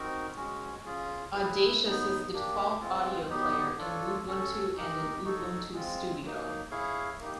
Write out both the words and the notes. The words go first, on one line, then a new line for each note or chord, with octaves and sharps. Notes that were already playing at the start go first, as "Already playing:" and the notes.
Audacious is the default audio player in Lubuntu and in Ubuntu Studio.
Already playing: C4 D#4 F#4 A#4
G#3 C#4 F#4
C#4 F4 G#4
E4 G#4 B4
F#3 B3 D#4
A#3 D4 G4
G#3 C4 F4
F#3 B3 D#4 G4
D4 F4 A4 C#5
C#4 F#4 A4 C#5
D#4 G4 A#4
D#4 F#4 A4 C#5
G#3 C4 F4
F#3 A#3 D#4
E4 G#4 C#5 F5
A#3 D#4 G4